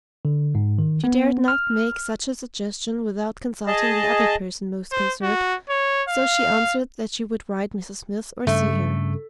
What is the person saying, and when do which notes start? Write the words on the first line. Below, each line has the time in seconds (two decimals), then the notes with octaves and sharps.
She dared not make such a suggestion without consulting the other person most concerned, so she answered that she would write Mrs. Smith or see her.
0.25 D3
0.55 G#2
0.79 D#3
1.04 B3
1.48 F6
3.67 G#4 D#5 A5
4.92 C5
5.22 F#4
5.70 C#5
6.09 F5
8.47 G2 C#3 A3